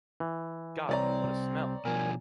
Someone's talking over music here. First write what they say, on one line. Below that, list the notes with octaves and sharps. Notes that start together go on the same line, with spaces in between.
God! What a smell!
E3
C2 C4 C#5 D5 A#5
B2 F3 A#4 G#5